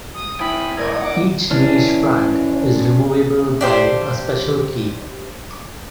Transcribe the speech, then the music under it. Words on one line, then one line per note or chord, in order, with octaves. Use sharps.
Each niche front is removable by a special key.
D#6
E4 C5 G5 G#5 B5 D#6
B2 G#3 A3 A#4 D5 G#6 A#6
F#5 D6
E3 C#4 D4
D4 G4 C5